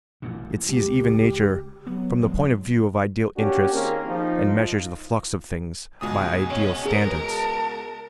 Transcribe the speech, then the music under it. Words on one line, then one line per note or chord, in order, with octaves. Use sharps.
It sees even nature from the point of view of ideal interests, and measures the flux of things by ideal standards.
A1 F#2 A#2
C#2 G4
F#3 B3
E2 G#3
A#3 C#4 D4 F#4 G4
D#3 A#3 C4 C#4 G#4 A#4
F3 D#4 F4
C#2 B2 G#5 D#6
C#4
G#4 A#4 B4
A5